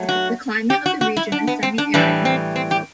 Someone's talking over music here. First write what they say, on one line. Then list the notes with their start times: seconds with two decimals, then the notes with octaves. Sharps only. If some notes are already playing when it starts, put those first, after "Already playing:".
The climate of the region is semi-arid and hot.
Already playing: F#3 A3
0.09 F#4
0.70 G4
0.86 F#4
1.01 F#4
1.17 E4
1.32 D4
1.47 B3
1.63 C4
1.78 D4
1.94 A2 E3 G3 D4
2.25 C4
2.56 C4
2.71 G4